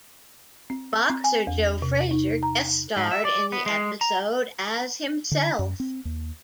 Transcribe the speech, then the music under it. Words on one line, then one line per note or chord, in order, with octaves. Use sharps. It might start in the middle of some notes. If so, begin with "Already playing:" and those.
Boxer Joe Frazier guest starred in the episode as himself.
C4
E6
C4
G#5
E2
C3
D#4
A#5
G#2
E5
D5
B3
G#3
A#5
D3
F#2
C4
D#2